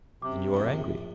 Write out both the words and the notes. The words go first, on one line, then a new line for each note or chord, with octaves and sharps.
And you are angry!
F#2 C3 D6
A#1 A2